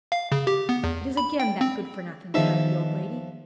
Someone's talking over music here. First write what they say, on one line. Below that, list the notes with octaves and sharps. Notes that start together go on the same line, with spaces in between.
"It is again that good-for-nothing!" cried the old lady.
F5
C#3
G4
B3
E2
B5
G5
C4
E2 D#3 F3 D#4 E5